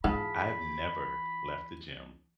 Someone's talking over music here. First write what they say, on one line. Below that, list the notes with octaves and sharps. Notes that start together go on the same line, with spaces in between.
I have never left the gym
G#2 E3 F4 G#4 A5 B5